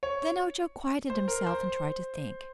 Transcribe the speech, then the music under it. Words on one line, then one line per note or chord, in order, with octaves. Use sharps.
Then Ojo quieted himself and tried to think.
C#5
C5
A#4
C5